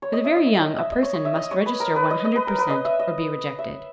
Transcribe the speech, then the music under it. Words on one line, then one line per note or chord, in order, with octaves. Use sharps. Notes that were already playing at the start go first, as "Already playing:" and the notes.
For the very young a person must register one hundred percent or be rejected.
C#5
D#5
E5
D#5
E5
D#5
E5
D#5
C#5
C#5
E5
D#5
C#5
B4
A#4
B4
D#5
D#5
B4
A#4
B4
D#5
E5
D#5
E5